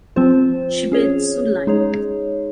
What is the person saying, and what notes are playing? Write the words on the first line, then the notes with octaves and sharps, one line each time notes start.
Shibetsu Line.
F3 C4 F4 C5
C#4 G#4 C#5
G#3 D#4 G#4 C#5